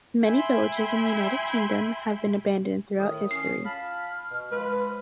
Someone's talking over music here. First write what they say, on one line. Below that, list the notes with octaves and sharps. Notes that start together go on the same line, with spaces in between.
Many villages in the United Kingdom have been abandoned throughout history.
E5 G5 G#5 B5 C6
A2 D#3 D#6
C#4 C7
F4 A5 B5 F6
B2
F3 G#3 B4